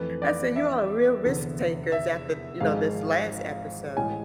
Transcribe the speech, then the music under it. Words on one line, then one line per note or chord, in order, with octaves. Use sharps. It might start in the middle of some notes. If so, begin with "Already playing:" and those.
I said "You are real risk takers after, you know, this last episode."
Already playing: F2 E3 A3 B4
D5
E5
F1 E2 D3
E5
G#1 G#2 F3 G#3 F5
A1 A2 G#3 G#5